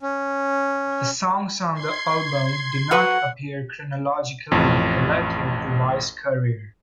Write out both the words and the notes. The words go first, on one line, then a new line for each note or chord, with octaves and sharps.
The songs on the album do not appear chronologically relative to Vai's career.
C#4
C6 G#6 C7
F#3 F#4 B4 F#5
A1 F2